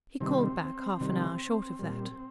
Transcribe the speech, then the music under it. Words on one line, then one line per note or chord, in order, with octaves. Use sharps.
He called back half an hour short of that.
C3 D#3 G3 C4
C3 D#3 G3
A#2 G3